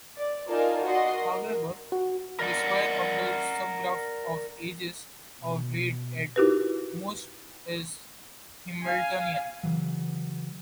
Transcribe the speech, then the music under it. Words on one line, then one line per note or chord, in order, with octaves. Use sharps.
However, the square of the subgraph of edges of weight at most is Hamiltonian.
D5
D#4 F4 A#4 D5 G#5 A5
F#4 D5 D#5 F#5 C6
A#4
F#4
A#4 D5 F#5
B2
D#4 E4 F#4 G4 A#4 B4
F5 G#5
C#3 E3 F#3